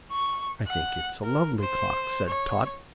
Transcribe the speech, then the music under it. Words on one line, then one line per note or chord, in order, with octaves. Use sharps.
"I think it's a lovely clock," said Tot.
C#6
F#5
A#4
C5
C#5